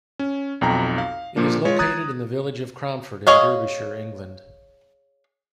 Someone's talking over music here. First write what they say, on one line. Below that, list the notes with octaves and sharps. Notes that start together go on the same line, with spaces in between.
It is located in the village of Cromford in Derbyshire, England.
C#4
B1 F2 G5 A#5
F5
A#2 F3 A#3 D4
G#3 F4 C#5
A#5 D#6 F#6 G#6 A6
G#4 C#5 D#5 F5